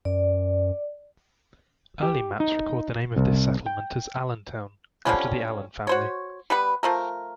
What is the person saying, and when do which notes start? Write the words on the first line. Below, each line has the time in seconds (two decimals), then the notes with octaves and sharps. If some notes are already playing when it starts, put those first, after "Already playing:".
Early maps record the name of this settlement as Allentown, after the Allen family.
0.05 F#2 D5
2.03 G4
2.40 D#4
3.16 C2
3.66 G5
5.05 D3 F3 G3 C#4
5.87 F#4 C5 C#5
6.50 G3 B3 B4
6.83 F3 A3 A#4